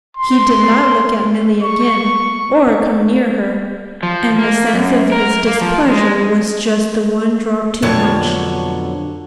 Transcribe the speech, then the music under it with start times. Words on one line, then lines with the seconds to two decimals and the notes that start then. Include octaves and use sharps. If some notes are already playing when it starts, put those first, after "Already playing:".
He did not look at Milly again, or come near her, and the sense of his displeasure was just the one drop too much.
0.17 C6
1.63 C#6
4.03 F3
4.39 A#3
4.74 F#2
5.12 A#4
5.47 A#3
5.61 F3
5.90 G#3
7.82 F2 B2 D3 F#3 C#5 A5